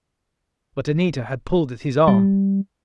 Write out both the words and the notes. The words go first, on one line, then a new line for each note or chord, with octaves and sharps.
But Anita had pulled at his arm.
G3